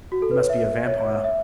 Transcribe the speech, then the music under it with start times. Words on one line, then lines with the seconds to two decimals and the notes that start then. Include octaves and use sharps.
"He must be a vampire."
0.12 F#4
0.22 A4
0.31 B4
0.40 C#5
0.49 E5
0.87 C#5
1.24 E5